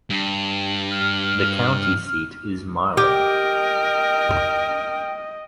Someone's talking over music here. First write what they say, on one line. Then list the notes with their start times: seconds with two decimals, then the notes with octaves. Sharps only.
The county seat is Marlin.
0.10 G2
0.91 F6
2.97 G4 A#4 D#5 G5